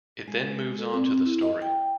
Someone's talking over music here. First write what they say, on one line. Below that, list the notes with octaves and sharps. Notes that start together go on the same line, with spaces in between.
It then moves on to the story.
G#3
A4
C4
E4
D#5
G5